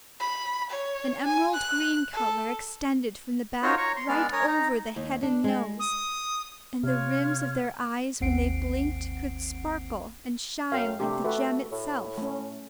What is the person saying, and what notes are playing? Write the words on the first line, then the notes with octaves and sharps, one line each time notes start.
An emerald green colour extended from the back right over the head and nose; and the rims of their eyes when they blinked could sparkle and shine like the gem itself.
B5
C#5
G#5
F#6
A4
D#4 F4 F#4 A#4 C5 C#5
C#5 A#5 C#6
C6
G#3 B3 D4 D5 F6
A#4 C#5 G#5 D#6
D#4 A#5
D#2
D4
G#3
D#6
C3 F4 C#5 F6
G#1 D#2 C4 F#5 C7 D7
F#2 F5 G5
C3 A3 D4 G4
A3 F#4 A4 B4
A2
A3 C#4